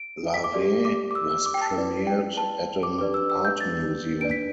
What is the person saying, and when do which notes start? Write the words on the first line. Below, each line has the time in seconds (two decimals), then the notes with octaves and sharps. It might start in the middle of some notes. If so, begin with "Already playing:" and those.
"Larvae" was premiered at an art museum.
Already playing: D7
0.34 B6
0.44 D6
0.54 G4 D5
0.85 D6
1.11 D6
1.15 E6
1.30 E6
1.46 D6
1.54 G5
1.61 A5
1.76 E4 B4 D5
2.07 G5
2.37 A5
2.83 D6
2.99 D4 G4 B4 D5 D6
3.14 E6
3.30 E6
3.45 G6
3.60 A6
4.21 D4 B4 D5 D7
4.31 B6